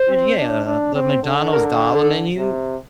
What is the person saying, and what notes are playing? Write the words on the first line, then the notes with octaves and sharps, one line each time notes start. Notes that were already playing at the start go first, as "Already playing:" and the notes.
Y yeah, the McDonald's dollar menu?
Already playing: C5
C4
D4
D4
C4
D3
A#4
A4
C3